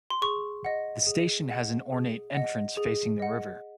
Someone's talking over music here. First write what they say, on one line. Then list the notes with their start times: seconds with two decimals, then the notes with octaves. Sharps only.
The station has an ornate entrance facing the river.
0.10 C6
0.22 G#4 C#6
0.65 D#5 F#5
1.07 G#4
1.49 D#5 F#5
1.92 G#4
2.35 D#5 F#5
2.77 G#4
3.20 D#5 F#5